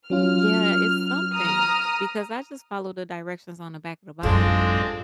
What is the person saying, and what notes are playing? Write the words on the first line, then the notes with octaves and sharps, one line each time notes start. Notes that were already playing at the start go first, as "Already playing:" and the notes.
Yeah, it's something, because I just followed the directions on the back of the box.
F#3 C#4 F4 F6
A#5 D#6 F6
A1 F#2 G#3 C4 D4 F4 A4